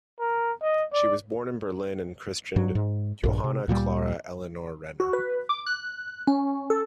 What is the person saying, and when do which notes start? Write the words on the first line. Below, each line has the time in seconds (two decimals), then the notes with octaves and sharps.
She was born in Berlin and christened "Johanna Klara Eleonore Renner".
0.20 A#4
0.62 D#5
0.92 D5
2.56 G2 F#3
2.75 G#2
3.24 A#1 G2
3.44 C3
3.68 D2 A#2 D#3 G3
5.00 F#4
5.13 B4
5.49 D6
5.66 F#6
6.27 C#4
6.70 A4